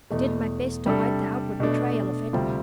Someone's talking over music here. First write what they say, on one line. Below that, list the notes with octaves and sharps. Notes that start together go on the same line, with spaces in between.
I did my best to hide the outward betrayal of it.
E2 B2 A3
C3 G3 D4 A4
B2 A3 D4
D2 C3 G3 C4 F4